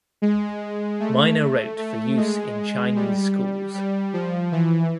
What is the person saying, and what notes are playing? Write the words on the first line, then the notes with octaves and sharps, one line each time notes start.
Miner wrote for use in Chinese schools.
G#3
A3
A3
G#3
G3
G3
F3
E3